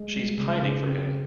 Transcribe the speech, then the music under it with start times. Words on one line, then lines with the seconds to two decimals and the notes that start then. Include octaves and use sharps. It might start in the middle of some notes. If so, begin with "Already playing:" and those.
She's pining for him.
Already playing: G#3
0.13 G3
0.38 C#3
0.63 C#3
0.88 C4